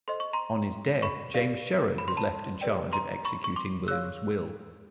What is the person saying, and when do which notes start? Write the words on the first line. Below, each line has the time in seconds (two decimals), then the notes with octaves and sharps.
On his death James Sherard was left in charge of executing William's will.
0.08 A4 C5 D#5 C6
0.20 C#6
0.33 A#5 C6
1.02 B5 C#6
1.34 G4 A#4 D5 F5
1.98 B5
2.08 C6
2.17 A5 B5
2.61 G4 B4 D5 G5
2.93 A#5 C6
3.25 B5 C#6
3.44 C#6
3.56 C6 D6
3.88 G#4 C#5 F5 E6 F#6